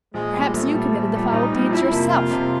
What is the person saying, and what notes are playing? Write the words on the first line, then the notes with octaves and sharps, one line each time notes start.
"Perhaps you committed the foul deeds yourself."
A#1 G#3
A#2 G3
A#1 A3
A#2 G3
A#1
A#2 G3
A#1 D#4
A#2 G3
F2 E4
C3 F3 A#3
F2 F4
C3 F3 A#3